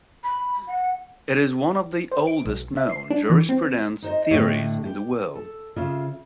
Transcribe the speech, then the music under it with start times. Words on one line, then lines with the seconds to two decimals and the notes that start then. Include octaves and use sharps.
It is one of the oldest known jurisprudence theories in the world.
0.23 B5
0.67 F#5
2.12 C5
2.27 D7
2.45 B1
2.77 E5
2.89 C7
3.10 D4
3.30 E3
3.49 C4
4.02 D#4 C5 D#5
4.31 A2 D3 A3 G4 C#5 D#5
4.85 G4
5.35 A4
5.76 C#3 F4 E5